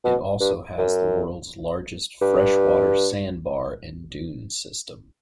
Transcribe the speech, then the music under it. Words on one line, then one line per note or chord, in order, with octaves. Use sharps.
It also has the world's largest fresh water sand bar and dune system.
B2
G2
F#2
G2